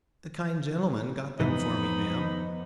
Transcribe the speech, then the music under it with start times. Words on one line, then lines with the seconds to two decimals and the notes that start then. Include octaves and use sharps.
"The kind gentleman got them for me, ma'am."
1.40 F2 G#2 C3 E3 B3 D#4 D#5 B5